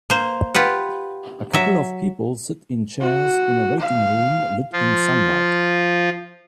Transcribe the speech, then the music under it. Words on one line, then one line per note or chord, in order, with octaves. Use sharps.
A couple of people sit in chairs in a waiting room lit in sunlight.
A#3 C5
F4 G4 B4 F#5
F#3 E5
F#4
F5
F3 F4